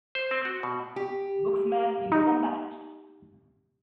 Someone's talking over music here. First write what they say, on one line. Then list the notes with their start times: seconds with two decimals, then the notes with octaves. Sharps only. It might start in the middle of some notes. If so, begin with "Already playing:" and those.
Buxman in the Combat!
0.15 C5
0.31 C4
0.45 F#4
0.63 B2
0.96 G4
2.12 D#4